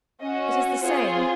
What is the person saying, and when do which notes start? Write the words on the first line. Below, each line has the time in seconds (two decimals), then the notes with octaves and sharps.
"It is the same."
0.22 C#4 F#4 D#5
0.84 C4 F4 G#4 C#5